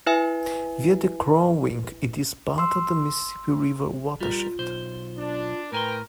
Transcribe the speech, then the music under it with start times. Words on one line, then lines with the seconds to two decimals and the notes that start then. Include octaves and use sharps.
Via the Crow Wing, it is part of the Mississippi River watershed.
0.06 E4 B4 E5 G#5
2.58 C6 E6
4.21 G3 F4 A#4
4.59 B1 C5
5.17 D4
5.72 A2 A#4 B4 G5 G#5 A#5 C6 D7